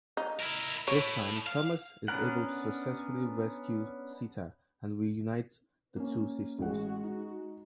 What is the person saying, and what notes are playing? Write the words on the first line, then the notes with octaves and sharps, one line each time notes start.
This time Thomas is able to successfully rescue Sita and reunite the two sisters.
D#4
E4 A#4
A2 C#5
F5
B3 C#4 D4 A#4 F#5
A#3 C#4
A1 G#3 F#4 F#5
D#4